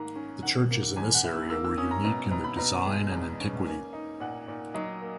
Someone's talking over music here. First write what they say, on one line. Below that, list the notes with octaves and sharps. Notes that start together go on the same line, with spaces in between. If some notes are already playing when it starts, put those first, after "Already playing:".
The churches in this area were unique in their design and antiquity.
Already playing: G#2 D#3 A#3 A#5
C#4
D#3 F#5
A#3
E2 G#5
F#5
E4
E6
A#3 E6
E6
C#4 D#6
A#5
B2 A#5
B2 A#5
B5
B2 A#5
G#3
E2
C#4
A#3 G#5
D#4
A#2 F#5
A#2
F#3 D#5
A#3